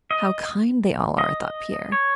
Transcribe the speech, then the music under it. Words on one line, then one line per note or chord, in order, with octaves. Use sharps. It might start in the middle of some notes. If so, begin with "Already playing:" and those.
"How kind they all are," thought Pierre.
D#5
D#5
C#5